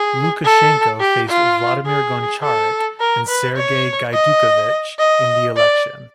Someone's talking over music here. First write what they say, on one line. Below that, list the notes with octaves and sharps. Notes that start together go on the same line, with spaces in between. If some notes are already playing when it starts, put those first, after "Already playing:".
Lukashenko faced Vladimir Goncharik and Sergei Gaidukevich in the election.
Already playing: G#4
A4
G4
F4
G#4
A4
A#4
B4
C#5
D#5
D#5
D5